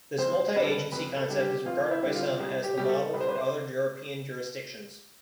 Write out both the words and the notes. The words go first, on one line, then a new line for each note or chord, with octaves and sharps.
This multi-agency concept is regarded by some as the model for other European jurisdictions.
F2 C5
D3 G3 B4
A4
B4
F2 B4
A4
D3 G3
G4
F2 F4
E4
D3 G3
F4
C2
G4
B2 G3 G4
A4
C2 B4
C5
B4
C5